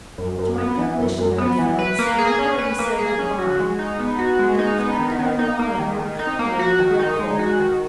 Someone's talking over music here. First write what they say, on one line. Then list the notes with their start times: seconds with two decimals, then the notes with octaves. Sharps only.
To my good missionary friends I had already said good-bye, and the captain and Mollie were kindly regretful.
0.18 F#2
0.39 F#2
0.58 B3
0.78 E3
0.98 F#2
1.18 F#2
1.38 B3
1.59 E3
1.79 B4
1.99 A#3
2.19 G#4
2.39 C#4
2.58 B4
2.79 A#3
2.99 G#4
3.19 C#4
3.39 F#4
3.59 G#3
3.79 D#4
3.99 B3
4.19 F#4
4.39 G#3
4.59 D#4
4.79 B3
4.99 D#3
5.19 D#3
5.39 D#4
5.59 A#3
5.79 D#3
5.99 D#3
6.19 D#4
6.39 A#3
6.59 F#4
6.79 D#3
6.99 D#4
7.19 G#3
7.39 F#4
7.60 D#3